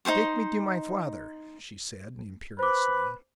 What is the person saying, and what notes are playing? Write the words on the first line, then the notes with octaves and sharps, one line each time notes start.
"Take me to my father," she said, imperiously.
D#4 G#4 C5 C#6
B4 C5 D6